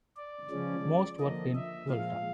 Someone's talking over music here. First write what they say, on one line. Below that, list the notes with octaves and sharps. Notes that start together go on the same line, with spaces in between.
Most worked in "Vuelta".
D5
C#3 F3 G#3 C#4
D3 F3 A#3 D#5
E5
A#2 F3 G#3 F5